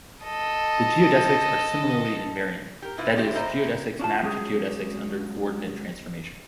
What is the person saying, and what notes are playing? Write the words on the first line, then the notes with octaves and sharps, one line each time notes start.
The geodesics are similarly invariant: that is, geodesics map to geodesics under coordinate transformation.
A4 D#5
G4 A#4
C3 E4 F4 B4
F2 A2 F#3 G4 C5 E5
A2 A3 C4 C5 D#5 A#5
C#4 D4 F4 A5
F#3 G#3 C#4 G#4